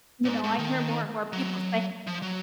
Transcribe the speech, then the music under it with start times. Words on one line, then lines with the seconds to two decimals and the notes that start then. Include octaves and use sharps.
You know, I hear more and more people saying
0.25 A#2
0.29 G#2
0.44 G#2
0.59 D#3
1.33 F#3
2.07 F3
2.22 F#3